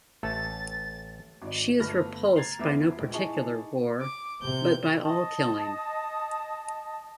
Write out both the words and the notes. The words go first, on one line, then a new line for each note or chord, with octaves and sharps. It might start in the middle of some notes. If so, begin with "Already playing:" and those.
She is repulsed by no particular war, but by all killing.
A1 A3 A4 A6
G#1 D#4 D5
G1 A3 B5 F6 A#6
A#5 G#6 A6 C7 F7
E2 A3 E5 B5 D6 G#6
A#1 G#3
D#4 E4 G#4 D#5 A5 C#6
D6
C3 G6
D#5 A5 D#6